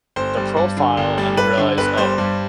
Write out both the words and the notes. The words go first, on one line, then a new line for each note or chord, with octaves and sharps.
the profile and you realize, "Oh,
G1 C5
G3
G2
D3
G1
G3
G2 B4
D3
G1 B4
G3 C5
G2